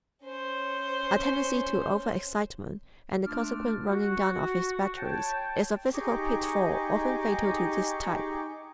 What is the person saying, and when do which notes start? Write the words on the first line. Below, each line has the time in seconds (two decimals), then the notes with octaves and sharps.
A tendency to over-excitement and the consequent running down of his batteries is a physical pitfall often fatal to this type.
0.24 C#4 C5
3.25 A3 D4 F4 D6 E6 F6
3.87 F#4
4.97 C#5 G5 A5
5.94 D#4 G4 G#4 D#5 C#6 D6